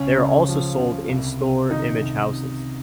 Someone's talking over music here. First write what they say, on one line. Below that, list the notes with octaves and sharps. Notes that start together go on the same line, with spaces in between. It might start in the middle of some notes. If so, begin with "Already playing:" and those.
They are also sold in store image houses.
Already playing: C#2 C#4
C#3
F3
C#2
C2
C3
D#3 D#4
C2